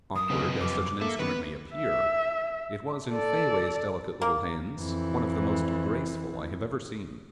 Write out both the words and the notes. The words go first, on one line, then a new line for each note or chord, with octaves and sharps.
Awkward as such an instrument may appear, it was, in Fayaway's delicate little hands, one of the most graceful I have ever seen.
F#2 D#6
C#3 C4 B4 D#5
F2 D6
A#3 A4 E5
D#3 B3 B4
E5
A4 D5
A#3
F2 E3